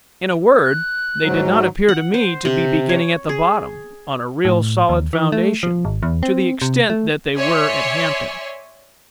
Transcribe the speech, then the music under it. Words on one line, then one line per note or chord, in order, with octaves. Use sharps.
In a word, they did not appear to me to be beginning at the bottom, on a real, solid foundation, to the extent that they were at Hampton.
F#6
G#2 F#3
F#5
C5
C3
C#5
G#4
A2
D#2
E3
A3
F3
G#1
E2
C4
C3
A3
C#5 D5 E5 G#5 C6